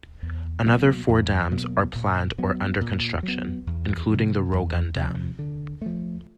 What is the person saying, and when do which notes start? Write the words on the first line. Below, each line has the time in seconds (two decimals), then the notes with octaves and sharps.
Another four dams are planned or under construction, including the Rogun Dam.
0.23 E2
0.66 B2 F#3 A#3
1.09 E2
1.51 B2 F#3 A#3
1.95 A#2
2.38 F#3 B3
2.81 A#2
3.23 F#3
3.28 B3
3.67 E2
4.10 C3 F3
4.53 E2
4.96 C3 F3
5.39 D3
5.82 F3 A3